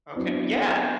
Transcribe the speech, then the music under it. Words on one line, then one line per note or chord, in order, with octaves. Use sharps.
Okay, yeah.
F#3 B3 C4 D4 E4